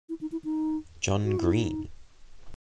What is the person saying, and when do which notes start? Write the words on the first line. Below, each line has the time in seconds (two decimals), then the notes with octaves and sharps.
John Greene.
0.09 E4
0.21 D#4
0.32 E4
0.44 D#4
1.24 F#4
1.38 E4
1.52 D#4